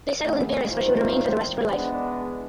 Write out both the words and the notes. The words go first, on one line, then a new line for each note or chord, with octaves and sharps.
They settled in Paris where she would remain for the rest of her life.
A#1 D#2 A3 B3 E4 G#4
E2 G2 D#3 F4 C5
E3 G#3 B3 D4